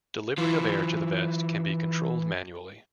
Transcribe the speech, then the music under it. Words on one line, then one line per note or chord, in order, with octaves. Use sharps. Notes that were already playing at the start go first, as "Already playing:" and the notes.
Delivery of air to the vest can be controlled manually.
E3 F4